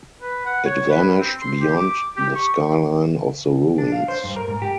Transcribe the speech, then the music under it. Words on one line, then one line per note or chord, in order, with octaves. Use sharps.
It vanished beyond the skyline of the ruins.
B4
F#5
C#5
B4
C4
C6
G4
D6
G4
C#6
D4
F5
C5
G2
A#4
G#2
G4